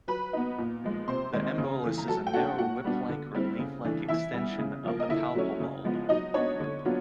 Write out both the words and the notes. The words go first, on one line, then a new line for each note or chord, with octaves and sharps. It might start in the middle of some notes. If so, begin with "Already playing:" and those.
The embolus is a narrow whip-like or leaf-like extension of the palpal bulb.
F#3 B4 B5
B3 D#4
A#2
F3 G#3
C3 C5 C6
D#3 G#3
C#3
E3 A3
A#5
F#3 A4 A5
G5
A3 D4 F#4 F#5
A#2 F#4 F#5
G3 B3 D4
D3
G3 C4 E4
C#3
E3 A3 D4
E3 E4 E5
G3 B3
C#3
F3 A#3
D#5
D3 E4 E5
F#3 A3 C#4
C#3
F3 G#3 B3
F#3 D#4 D#5
B3 D4 C#5
D3
F#3 B3 D4 F4